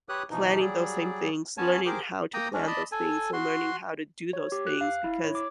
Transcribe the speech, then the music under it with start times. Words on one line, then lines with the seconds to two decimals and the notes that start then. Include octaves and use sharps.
planning those same things, learning how to plan those things, and learning how to do those things, because
0.09 G4 B4 C#5 D#6 F#6
0.31 B2 E3 F3 D#4
0.60 F#3 G3 G#4 D5
1.58 B3 C#4 C#5 G#5 A5
1.86 G4 G#4 A#4 C5 D6
2.34 A#3 G5 A#5 D#6
2.54 G#3 C#4 D4
2.67 D5 D#5 A5 B5
2.92 A4 G#5
3.33 F#4 C6
4.33 C#5
4.52 G4
4.67 F#6
4.81 F5
5.04 E4
5.24 C#5
5.35 D6